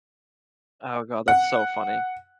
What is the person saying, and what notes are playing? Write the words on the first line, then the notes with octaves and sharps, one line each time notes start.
Oh god. That's so funny,
F#5